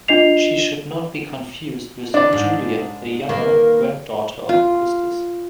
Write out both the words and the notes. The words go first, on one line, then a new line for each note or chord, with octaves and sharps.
She should not be confused with Julia the Younger, granddaughter of Augustus.
D4 F4 D#5 C7 F7
E3 D4 D5
G#2
D#3 A#3 B4
F4